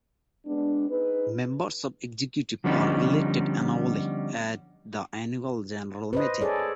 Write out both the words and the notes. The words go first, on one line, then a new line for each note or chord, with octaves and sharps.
Members of the executive are elected annually at the Annual General Meeting.
G#3 B3 D4
D#4 G#4 B4
D3 F3 G3 B3 C#4 D#4
B4 C5 D#5
G#4 A4 C#5 D5